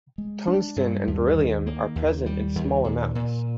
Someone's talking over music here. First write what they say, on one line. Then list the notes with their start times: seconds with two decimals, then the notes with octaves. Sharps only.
Tungsten and beryllium are present in small amounts.
0.18 G#3
0.47 D4
0.76 G2
1.07 D#2
1.37 D#3
1.66 A#3
1.96 D#2
2.26 G3
2.56 D#2
2.84 A#2
3.15 A#2